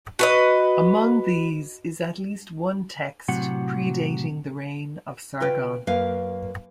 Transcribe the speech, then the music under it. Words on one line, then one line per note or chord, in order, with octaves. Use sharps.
Among these is at least one text predating the reign of Sargon.
F#4 B4 D#5
A2 C3 F#3 F#5
C#3 F4 B4 G5
F#2 A#3 B4 F5